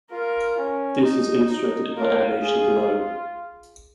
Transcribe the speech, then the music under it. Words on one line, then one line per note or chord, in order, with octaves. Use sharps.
This is illustrated in the animation below.
F4 A#4
C#4
D#4
D#4
F4 A#4
G#4